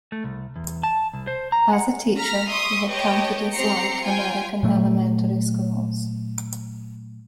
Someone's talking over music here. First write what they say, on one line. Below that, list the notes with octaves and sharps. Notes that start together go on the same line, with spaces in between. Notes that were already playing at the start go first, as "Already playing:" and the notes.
As a teacher, he had come to dislike American elementary schools.
A3
C2
E2
A5
C2
C5
A#5
F#5
A#5 F6 A#6 B6
E5 C6 C#6 D#6
G4 B4 C#5 D#5 G5 A5
C4 G4 A#5 C7 C#7
F4 G5 G#5
A#2 F#3 A3